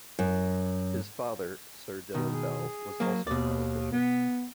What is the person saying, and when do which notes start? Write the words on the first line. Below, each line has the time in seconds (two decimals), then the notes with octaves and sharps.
His father, Sir Dillon Bell, was also a politician.
0.19 F#2
2.15 B2 D#3
2.33 G#4
3.00 F#3 A#3
3.27 D#2 B2 D5
3.92 B3